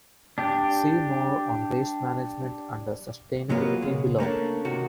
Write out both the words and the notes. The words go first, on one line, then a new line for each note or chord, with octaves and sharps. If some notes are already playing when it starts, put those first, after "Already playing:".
See more on Waste Management under "Sustainability" below.
D4 G4
A#2 F#3 G#3 A#3 B3
C#3 G#3
A3 A#3 C#4 D4
C3 D#3 F#4